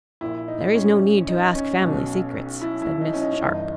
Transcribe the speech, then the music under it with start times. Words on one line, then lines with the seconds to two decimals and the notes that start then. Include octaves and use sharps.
"There is no need to ask family secrets," said Miss Sharp.
0.21 A#1 A#2 E4
0.48 D#4
0.75 C#4
1.28 D#4
1.55 C#4
1.82 B1 B2
2.62 E4
2.82 E4
3.01 D#4
3.13 C#4
3.22 D#4
3.33 C#4
3.42 G1 G2 E3 D#4